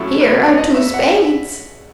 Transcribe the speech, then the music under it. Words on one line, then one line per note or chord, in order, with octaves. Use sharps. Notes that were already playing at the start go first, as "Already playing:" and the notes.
Here are two spades.
Already playing: A2 F#3 C#4 E4 A4
B4
C#5
D#5
E5
F#5
E5